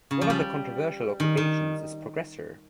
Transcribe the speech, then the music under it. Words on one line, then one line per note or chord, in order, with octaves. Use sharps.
One of the controversial occupations is progressor.
C#3
F3
G3
D#3
D#3